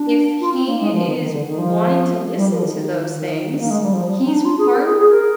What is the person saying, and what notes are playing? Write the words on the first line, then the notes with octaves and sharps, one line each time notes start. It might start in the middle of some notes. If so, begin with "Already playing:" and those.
if he is wanting to listen to those things, he's harming
Already playing: D4
F4
C4
A#3
G#3
F3
D#3
D#3
D3
D#3
F3
G3
F3
D#3
D#3
A#3
G#3
G3
F3
G3
C4
D#4
D4
F4
G#4
A#4
G#4
G#4
A#4